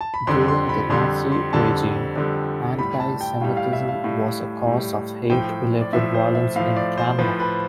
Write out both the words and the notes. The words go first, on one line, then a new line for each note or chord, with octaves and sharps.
During the Nazi regime, anti-Semitism was a cause of hate related violence in Canada.
A5
B5
F2 D3 G3 C6
C6
B5
F2 D3 G3 C6
C6
F2 D3 G3 A5
F2 D3 G3
A2 G3 B5
A5
G5
A2 G3 F5
F5
E5
F5
A2 G3
A2 G3
A2 F3 G5
D5
A2 F3 E5
C5
E5
A2 F3 F5
D5
C5
A2 F3 B4
B4